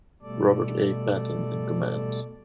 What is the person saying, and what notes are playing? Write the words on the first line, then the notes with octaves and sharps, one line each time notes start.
Robert A. Patton in command.
B2 G3 A3 A4 D5